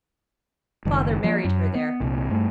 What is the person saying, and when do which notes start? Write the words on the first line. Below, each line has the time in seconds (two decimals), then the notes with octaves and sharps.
Father married her there.
0.85 F#1 D#3 G#3
1.24 F3 A#3
1.45 F#2
1.75 B3
2.00 C2 A#2
2.29 G2 A3